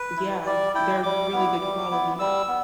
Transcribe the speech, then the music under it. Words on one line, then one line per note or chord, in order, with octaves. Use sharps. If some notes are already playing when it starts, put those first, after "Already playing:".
Yeah, they're really good quality now.
Already playing: B4
E4
G3 D5
E4 G5
G3 D6
B3 E4
G3
B3 E4
G3 E6
B3